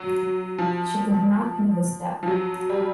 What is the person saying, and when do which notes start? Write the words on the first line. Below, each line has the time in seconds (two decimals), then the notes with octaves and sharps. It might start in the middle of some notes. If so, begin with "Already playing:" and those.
She could not move a step.
Already playing: F#3
0.58 F3
2.23 F3
2.28 F#3
2.70 G3